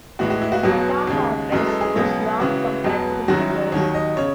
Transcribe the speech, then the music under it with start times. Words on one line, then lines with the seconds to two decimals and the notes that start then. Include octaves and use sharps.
The metacarpus was long compared to the fingers.
0.19 A2 E3 G#3 F#4
0.30 F#4
0.42 E4
0.52 F#4
0.63 E2 B2 F#3
1.07 D#2 C#3 G#3
1.52 F#2 E3 G#3 F#4
1.67 A4
1.81 G#4
1.96 C#2 B2 F#3
2.40 C#2 C#3 E3 F#4
2.84 E2 B2 F#3
3.28 F#2 D#3 F#3 F#4
3.39 E4
3.50 F#4
3.72 D#2 D#3 F#3 C#5
3.94 D#5
4.17 C#3 C#5